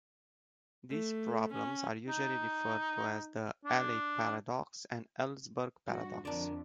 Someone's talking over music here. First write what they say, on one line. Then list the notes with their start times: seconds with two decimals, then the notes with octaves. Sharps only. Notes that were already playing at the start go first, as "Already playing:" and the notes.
These problems are usually referred to as the Allais paradox and Ellsberg paradox.
0.90 A3
1.53 C#4
2.09 D#4
3.66 D4
5.88 G2 F#4
6.25 F2 D3 D4 A#4 D5